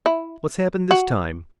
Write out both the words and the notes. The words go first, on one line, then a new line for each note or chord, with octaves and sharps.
"What's happened this time?"
E4
F#4